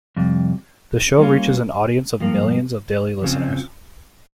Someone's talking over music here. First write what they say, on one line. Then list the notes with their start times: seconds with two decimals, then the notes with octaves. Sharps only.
The show reaches an audience of millions of daily listeners.
0.16 F2 C3 G3
1.18 G3 A#3 C#4 F4
2.20 G2 F3 A#3
3.22 F2 C#3 F3 C4